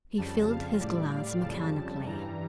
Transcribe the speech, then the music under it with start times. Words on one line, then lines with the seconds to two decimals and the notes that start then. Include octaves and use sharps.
He filled his glass mechanically.
0.17 F2 C#3 G3 A5
0.50 F5
0.81 A2 G3 D5
1.11 F5
1.43 F2 C#3 G3 A5
2.05 G2 E3 G3 A#5